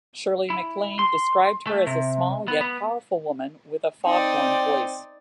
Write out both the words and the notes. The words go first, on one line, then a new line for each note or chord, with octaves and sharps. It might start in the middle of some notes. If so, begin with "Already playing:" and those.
Shirley MacLaine described her as a small, yet powerful woman with a foghorn voice.
E4
C6
A3
C3
B3
B3
C4 D#4 D5